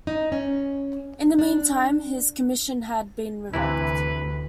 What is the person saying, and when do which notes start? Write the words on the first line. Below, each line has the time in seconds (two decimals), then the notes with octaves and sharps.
In the meantime, his commission had been revoked.
0.07 D#4
0.32 C#4
1.39 D4
3.54 D2 C3 E3 E4 B4